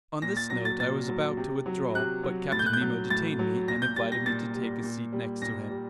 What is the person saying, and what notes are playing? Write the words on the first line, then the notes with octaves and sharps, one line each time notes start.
On this note I was about to withdraw; but Captain Nemo detained me and invited me to take a seat next to him.
A#2 A#6
A6
F#3 A#6
A6
A#2 A6
F#3
C3
F#3
C3 F#6
F#3
A2 A6
G6
F#6
G6
F#3
A2 A6
F#3
A#2 A#6
G6
G3 A6
A#6
A#2 A6
G3
A#2
G3
A#2 A#6
G3